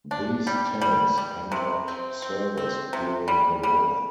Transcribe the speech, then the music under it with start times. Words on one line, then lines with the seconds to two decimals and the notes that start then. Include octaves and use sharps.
These tanks entered service during the war.
0.11 D4
0.47 G3
0.81 G3
1.18 G3
1.52 C3
1.88 C4
2.22 C4
2.57 C4
2.93 C3
3.28 G3
3.63 G3